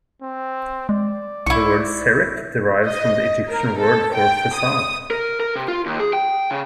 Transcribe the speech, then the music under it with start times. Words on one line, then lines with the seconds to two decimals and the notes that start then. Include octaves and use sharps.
The word "serekh" derives from the Egyptian word for "facade".
0.22 C4
0.89 G#3 D5
1.46 C2 E4 C#6
2.86 D#5
3.49 A#4
3.80 A4
4.15 G5
4.56 D#6
5.10 A#4
5.40 A#4
5.56 C3
5.68 F4
5.86 D#2
6.00 G#4
6.13 G5
6.51 C#3